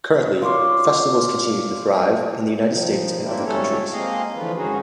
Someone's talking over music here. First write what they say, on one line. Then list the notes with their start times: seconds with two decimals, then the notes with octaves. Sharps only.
Currently, festivals continue to thrive in the United States and other countries.
0.42 F4 C#5 D5 C6
2.69 D#3 F3
3.25 A#3 C4 D4 E4
3.45 G#2 G3 A3 C#4 A4 C#5
3.93 G#3 A#3 C4 G#4 D#5 F5
4.36 D3 E3 F3 A3 F4 B4
4.56 G#2 D#3 C#4 D#4 F#4 G#4